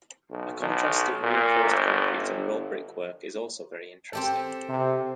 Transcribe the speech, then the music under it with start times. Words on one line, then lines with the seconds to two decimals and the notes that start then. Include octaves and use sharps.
A contrast of reinforced concrete and raw brickwork is also very interesting.
0.31 B1
0.60 B1
1.23 A#2
1.65 G1
2.16 G1
4.13 C4 G4 A4
4.69 C3